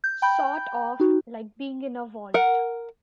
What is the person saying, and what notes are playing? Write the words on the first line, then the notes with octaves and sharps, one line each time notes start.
Sort of like being in a vault.
G6
G5 B5 G6
D#4 F#4
A#4 F#5